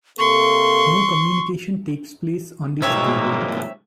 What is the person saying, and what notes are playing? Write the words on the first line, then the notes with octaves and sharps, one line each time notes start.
No communication takes place on this cable.
C3 A#3 A4 C6 C#6
C2 G#2 B2 G#3 A#3 C4 C#5 E5